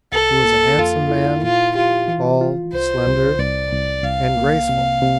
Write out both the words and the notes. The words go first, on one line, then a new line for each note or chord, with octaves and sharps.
He was a handsome man, tall, slender, and graceful.
C2 A4
A#3
F2 F4
E4
A#2 F4
F4 G4
E3
F4
C2 C5
C2
C2 D5
C2
C2 F5
A#3
C3
C3